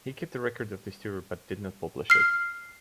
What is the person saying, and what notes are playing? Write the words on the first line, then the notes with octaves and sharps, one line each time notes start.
He kept a record of this tour, but did not publish it.
F6 C7